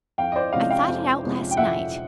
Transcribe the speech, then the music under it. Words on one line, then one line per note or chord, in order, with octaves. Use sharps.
I thought it out last night.
F2 F5 G5
D#5
C5 D5
C3 F3 G#3 C#4 D#5 F5
F5 G5
F2
C3 F3 G#3 C#4
G5
F2 E5 F#5